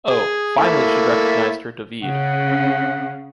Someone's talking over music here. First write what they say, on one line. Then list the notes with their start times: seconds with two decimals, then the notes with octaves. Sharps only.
Oh, finally she recognized her Davide!
0.09 G#4
0.57 A3 A#3 E4
2.04 C#3 F#5